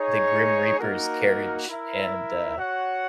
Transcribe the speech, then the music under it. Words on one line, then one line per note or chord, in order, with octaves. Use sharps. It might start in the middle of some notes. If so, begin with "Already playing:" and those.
the Grim Reaper's carriage, and, uh,
Already playing: D#4 G#4 C#5
A#3 D#4 F#4 A#4
E4 A#4 E5
F#4 C#5 F#5